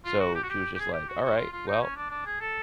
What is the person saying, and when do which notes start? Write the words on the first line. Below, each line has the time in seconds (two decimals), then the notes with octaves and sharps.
So she was just, like, "Alright, well"
0.05 F4
0.19 F#4
0.35 G4
0.43 F#4
0.50 G4
0.75 G4
0.79 G#4
0.93 G4
1.09 F#4
1.23 F#4
1.37 F4
1.52 F4
1.67 D#4
1.81 C#4
1.96 D4
2.10 D4
2.26 G#4
2.40 A4